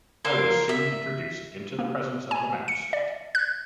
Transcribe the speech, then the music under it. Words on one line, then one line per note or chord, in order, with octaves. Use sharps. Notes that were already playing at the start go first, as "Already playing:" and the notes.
I was soon introduced into the presence of the magistrate.
A#3 A#4 C5 F5
E5
A#3
G#5
C#7
D5
F#6